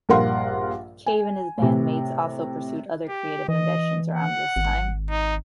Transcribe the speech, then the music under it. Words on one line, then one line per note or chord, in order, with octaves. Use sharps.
Cave and his bandmates also pursued other creative ambitions around this time.
A#1 G2 A#4 F5 F#5 C6
G#5
A2 C3
G4
E3 D#5
F#5
G#1
D#4